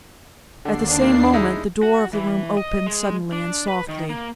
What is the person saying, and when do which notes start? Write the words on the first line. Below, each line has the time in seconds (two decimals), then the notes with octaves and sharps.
At the same moment the door of the room opened suddenly and softly.
0.65 D#2 D3 D4 C7
1.01 A#3
1.33 G#3 D#4 E4
1.83 F#4
2.13 E3
2.57 D#5
2.87 G#3
3.32 D4
3.68 B4
3.89 D#3
4.09 A#3